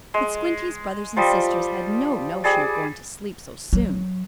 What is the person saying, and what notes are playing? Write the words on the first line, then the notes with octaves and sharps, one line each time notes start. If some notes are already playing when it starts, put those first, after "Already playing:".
But Squinty's brothers and sisters had no notion of going to sleep so soon.
G#3
F3 G3 D#5
G3 G#4 D5
F#3